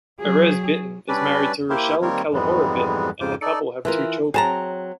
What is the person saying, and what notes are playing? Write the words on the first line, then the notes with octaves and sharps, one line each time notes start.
Erez Biton is married to Rachel Calahorra Biton and the couple have two children.
F#3 G#4
G3 C#4 D4 B4 D5
A#3 E4 G4 A#4 C5
D#3 G3 A#3 C4 A#4 C#5
F2 G#2 E3 G3 G#3 B3
F2 G#2 C#3 F4 C5 D6
D#4 A4 D5
E3 F4 A#4
F#3 C4 G#4 A5 A#5